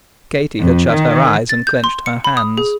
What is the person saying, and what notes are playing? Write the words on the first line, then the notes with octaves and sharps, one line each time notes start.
Katie had shut her eyes, and clenched her hands.
F2
D#3
A6
G6
C6
C#7
B5
D#6
G#4